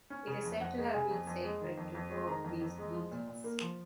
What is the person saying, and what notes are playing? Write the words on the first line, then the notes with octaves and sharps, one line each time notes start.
It is said to have been sacred to both these deities.
C#4
C#3
F2
F2 F#5
G#3
C#3 G#5
F2
F2
G#3
D#3
F2
F2
G#3
D#3 A#5
F2
F2
G#3
F3
A#2
A#2
A#3
F3